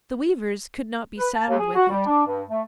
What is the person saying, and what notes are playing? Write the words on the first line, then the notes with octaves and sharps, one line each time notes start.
The weavers could not be saddled with it.
B4
A5
D#2
G#4
F#4
G3
D4
G2
A3